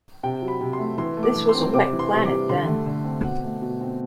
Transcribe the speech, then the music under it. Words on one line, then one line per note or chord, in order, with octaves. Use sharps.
This was a wet planet then.
C3 G5
F#3
B5
C3
C6
A3
E3 C6
A3
D6
E3
C6
C4
C3 D6
E3
C6
C3
D6
G3
D3 C6
A3
D3
C4
B2 F#5
A3
B2
C4